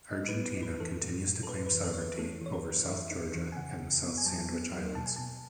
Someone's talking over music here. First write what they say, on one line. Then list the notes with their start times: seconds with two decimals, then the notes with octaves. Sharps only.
Argentina continues to claim sovereignty over South Georgia and the South Sandwich Islands.
0.11 D#4 D#5
0.28 B4
0.34 B3
0.45 B4
0.57 D#4
0.63 B4
0.80 E3 A4
1.04 A2
1.27 A2
1.43 A4
1.49 A2 B4
1.66 B4
1.72 E3
1.84 A4
1.93 E3 C#5
2.01 B4
2.19 A3 A4
2.41 E3 C#5
2.53 B4
2.64 E3
2.88 E3 E5
3.11 D#4
3.35 E3
3.52 G#5
3.57 C#3 F#5
3.80 C#3
4.03 B3
4.18 G#5
4.26 F#3 A5
4.50 B3
4.73 F#3
4.95 B2 A5
5.06 G#5
5.16 B2 A5